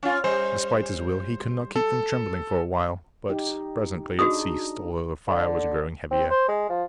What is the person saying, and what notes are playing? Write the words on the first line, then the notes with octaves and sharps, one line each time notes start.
Despite his will he could not keep from trembling for a while, but presently it ceased, although the fire was growing heavier.
C#4 F4
G3 C5
A4
D#4 G4
D4 D#4 F#4 G#4 D#6
D3
C4
C5
G#3
F3